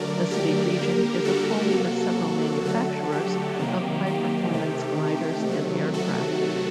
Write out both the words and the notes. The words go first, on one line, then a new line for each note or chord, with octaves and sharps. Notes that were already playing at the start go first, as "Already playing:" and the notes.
The city region is a home for several manufacturers of high-performance gliders and aircraft.
Already playing: D3 F#3 A3 A#4 D5
G4 A#4
D3 G3 A#3
F#4 A4
C3 F#3 A#3
D3 F#3 A3 F#4 A4
G4
C3 D#3 F#3 A#3
G4
C3 D#3 A3
C3 D#3 F#3 A3
F#4 A4